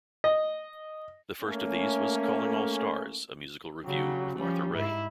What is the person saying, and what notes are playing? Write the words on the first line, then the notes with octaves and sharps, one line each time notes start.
The first of these was "Calling All Stars", a musical revue with Martha Raye.
D#5
A3 A#3 C#4
C#3 F#3 G3
F3 G3 C#4
G#2 E4